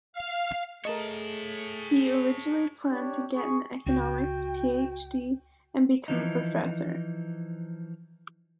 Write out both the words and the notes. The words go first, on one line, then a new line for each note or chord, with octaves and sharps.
He originally planned to get an economics PhD and become a professor.
F5
A3 G#4 A#4 C#5 D#5 A5
D4 G4 C#5
G#4 C#6
C#2 F#4 G5
E3 F3 D#4